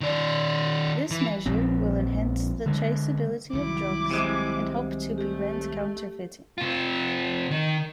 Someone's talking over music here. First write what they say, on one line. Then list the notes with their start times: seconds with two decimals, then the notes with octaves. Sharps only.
This measure will enhance the traceability of drugs and help to prevent counterfeiting.
0.01 D#3 D5
1.11 E3
1.46 A#1 F3 C4
2.66 D3 G#3
3.53 C2 D#3 F#3 E4 D6
4.11 C3 G#3
5.18 A3 G4
6.58 C3 F4
7.51 D#3